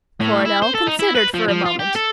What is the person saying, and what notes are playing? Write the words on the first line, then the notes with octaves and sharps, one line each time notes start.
Coronel considered for a moment.
A2
E4
C5
A4
D#4
E4
B4
F3
F3
F4
G4
A4